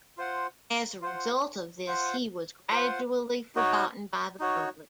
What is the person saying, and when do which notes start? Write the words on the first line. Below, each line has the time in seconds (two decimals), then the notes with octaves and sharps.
As a result of this he was gradually forgotten by the public.
0.17 F4 C5 F#5
1.01 F4 C5 F#5
1.86 F4 C5 F#5
2.71 F4 C5 F#5
3.55 D#4 F#4 C#5
4.39 D#4 F#4 C#5